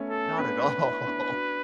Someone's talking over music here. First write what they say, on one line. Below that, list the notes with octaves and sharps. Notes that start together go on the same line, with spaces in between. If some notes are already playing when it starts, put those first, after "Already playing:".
not at all.
Already playing: A3 B3 C#4
A4
B3 D4 B4
B3 D4
C#4 E4
B3 D4
D4 F#4